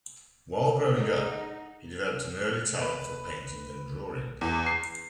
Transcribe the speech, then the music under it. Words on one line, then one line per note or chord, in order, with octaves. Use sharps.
While growing up, he developed an early talent for painting and drawing.
D#4 G#4 F#5
B4
E2
C7